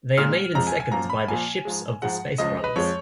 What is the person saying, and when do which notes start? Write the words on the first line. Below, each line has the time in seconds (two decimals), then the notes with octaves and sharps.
They are made in seconds by the 'ships' of the Space Brothers.
0.18 A#2 G#3 F6
0.55 F2 F3 G#3 A#5
0.67 G#5
0.80 G#5
0.92 F#2 F3 A#3 A#5
1.10 B5
1.28 A#2 F3 A#3 G#5
1.65 G#2 F3 G#3
2.02 G#2 F3 G#3 F#5
2.38 C#2 C#3 F3 G#3 D#5
2.64 B4
2.76 F2 F3 G#3 C#5